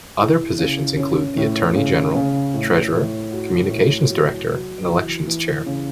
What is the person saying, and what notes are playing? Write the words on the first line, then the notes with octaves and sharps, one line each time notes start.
Other positions include the Attorney General, Treasurer, Communications Director, and Elections Chair.
E4
C#3
C#4
A2
C#3
C#3
A2
A2
F#4
A2
F#3
F#3
E3
E3
C#3